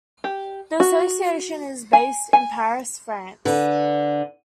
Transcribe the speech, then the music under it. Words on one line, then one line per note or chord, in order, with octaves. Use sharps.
The association is based in Paris, France.
G4
F#4
G#5
G#5
D3 B4